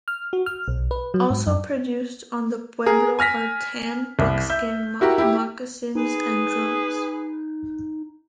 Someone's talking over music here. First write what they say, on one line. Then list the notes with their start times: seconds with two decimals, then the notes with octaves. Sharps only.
Also produced on the pueblo are tanned buckskin moccasins and drums.
0.08 F6
0.33 F#4
0.46 F6
0.68 B1
0.91 B4
1.14 F#3
1.30 G#2
1.47 F#2
2.86 G#4 A#4
3.19 G#5 F6 A#6 B6
4.19 C2
4.50 E5 G6
5.01 E4 F#4 G4 A#4
5.18 E4 G4
5.95 D#4 G#4 B4